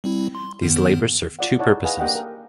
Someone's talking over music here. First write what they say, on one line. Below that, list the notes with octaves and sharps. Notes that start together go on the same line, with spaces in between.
These labors served two purposes.
G3 C4 E4
C6
F#2 D#3 B3
F4 D5 F#5
D#4 E4 C#5 D5 F#5 A5
G#4 B4 D#5 F5 F#5 G#5
A#3 D4 G4 D#5 F#5 G5
A#4